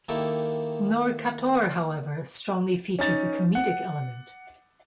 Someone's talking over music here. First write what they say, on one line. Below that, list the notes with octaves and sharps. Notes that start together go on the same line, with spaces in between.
Knorkator, however, strongly features a comedic element.
D#3 A#3 E4 G4 A4
C#4 D#4 A6
F#5